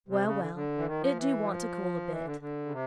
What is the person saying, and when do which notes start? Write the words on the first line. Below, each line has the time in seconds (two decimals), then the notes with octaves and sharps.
'Well, well; it do want to cool a bit.
0.09 C3
0.24 C#3
0.40 D3
0.54 D3
0.78 E3
0.86 D#3
1.01 F3
1.17 E3
1.43 F#3
1.48 F3
2.10 E3
2.25 D3
2.40 D3
2.66 C#3
2.72 C3